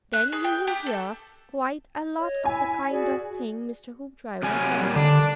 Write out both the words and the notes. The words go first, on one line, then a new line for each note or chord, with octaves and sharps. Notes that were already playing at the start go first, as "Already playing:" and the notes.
Then you will hear quite a lot of the kind of thing Mr. Hoopdriver heard.
F#6
G#4
G5
G4
A4
C#5 D#5
E4 G#5
F#4 G#4 D5
C3 F#3 G#5
A#2 G3
D3 D4